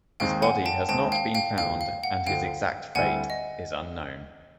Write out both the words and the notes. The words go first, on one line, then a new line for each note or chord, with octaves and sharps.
His body has not been found and his exact fate is unknown.
D#2 D#3 G#3 C4 F5 G5
F#5 G#5
G5 A5
D#2 D#3 G#3 C4 G5 A5
F5 G5
F5 G5
D2 D3 F3 F5 G5
F5
F#5
D2 D3 F3 F5 G5
D2 D3 G3 C4 E4 F#5 G#5
D#5